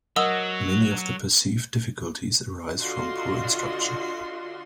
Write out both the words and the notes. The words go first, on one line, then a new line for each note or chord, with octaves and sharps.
Many of the perceived difficulties arise from poor instruction.
F#3 A#4 D#5 F#5 D#6 E6
D3 F4 F#4 D#5 C6